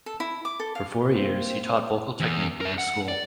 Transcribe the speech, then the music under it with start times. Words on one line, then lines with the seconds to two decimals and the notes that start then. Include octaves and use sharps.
For four years he taught vocal technique in this school.
0.06 A4
0.20 E4
0.45 D6
0.60 A4
0.75 F5
1.08 A#3 C4
2.20 E2
2.61 A#4 E5
2.78 F#5
3.08 D5